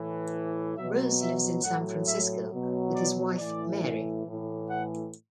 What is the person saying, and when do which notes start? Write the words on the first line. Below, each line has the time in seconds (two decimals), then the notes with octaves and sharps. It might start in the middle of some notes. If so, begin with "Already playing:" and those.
Rose lives in San Francisco with his wife Mary.
Already playing: A2 E3
0.77 B2 F#3 E5
1.20 E5
1.64 A2 F#3 F#5
2.08 E5
2.51 B2 F#3
2.95 D5
3.38 A2 E3 D5
4.26 A2 E3
4.69 F#5